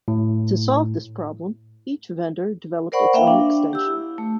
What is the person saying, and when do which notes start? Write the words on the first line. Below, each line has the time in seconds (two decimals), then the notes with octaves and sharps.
To solve this problem, each vendor developed its own extension.
0.08 A2
2.92 A#4 C5 D5 F#5 B5 C#6
3.14 A#3 E5 F5 G5
3.27 D4
3.73 G4 E6
3.86 E4
4.18 A3